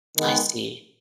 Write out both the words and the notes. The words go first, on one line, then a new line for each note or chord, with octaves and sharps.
I see.
D#3 G#3 B3